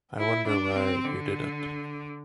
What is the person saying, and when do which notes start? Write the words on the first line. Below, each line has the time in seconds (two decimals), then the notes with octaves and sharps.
I wonder why you didn’t.
0.19 E4
0.47 D4
0.76 C4
1.05 D3